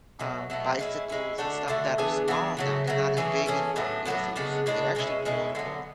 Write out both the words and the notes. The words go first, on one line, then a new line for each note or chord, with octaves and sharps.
um, bicycles and stuff that are small now. They're not as big and bulky as they used to be, they're actually portable.
B2 F#3 A3
B2 F#3 A3
G#3 C#4 E4
G#3 C#4 E4
D3 A3 D4 F#4
D3 A3 D4 F#4
E3 B3 D4 G#4
E3 B3 D4 G#4
C#3 F#3 A3
C#3 F#3 A3
E3 A3 C#4 G#4
E3 A3 C#4 G#4
A2 F#3 B3 D4
A2 F#3 B3 D4
C#3 G#3 B3 D4
C#3 G#3 B3 D4
B2 G#3 C#4 E4
B2 G#3 C#4 E4
D3 F#3 B3